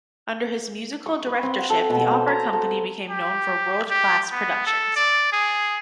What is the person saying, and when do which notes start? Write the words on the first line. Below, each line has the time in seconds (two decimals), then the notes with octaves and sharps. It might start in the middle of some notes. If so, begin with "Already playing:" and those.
Under his musical directorship the opera company became known for world class productions.
1.06 C#6
1.26 B4
1.43 C4
1.59 F#5
1.70 A4
1.90 B2
2.11 C5
2.28 A#5
2.53 A4
3.10 G4
3.90 G4
4.32 B3
4.66 A4
4.96 D5
5.33 G#4